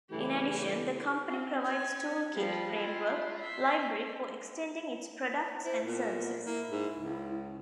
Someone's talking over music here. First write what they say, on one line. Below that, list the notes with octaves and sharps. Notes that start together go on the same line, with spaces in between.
In addition, the company provides toolkit, framework, library for extending its products and services.
G2 C#3 E3 A3 G4
C4
C#4 G#5
F3 G3
E4 F4
E5 C6
E4 C5
A#2 B3
A#3 E4
G#2
C#2